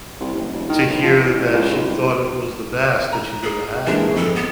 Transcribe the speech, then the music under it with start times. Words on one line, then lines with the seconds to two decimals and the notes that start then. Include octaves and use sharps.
to hear that she thought it was the best that she's ever had, though.
0.20 C2
0.34 F#1
0.52 E1
0.69 D#3
0.88 B1
1.02 F3
1.20 E2
1.33 A1
1.53 C#2
1.71 B1
1.86 C2
3.12 A#5
3.43 G#4
3.86 E3 G#3 A#3 D4
4.16 F2 A4
4.35 B3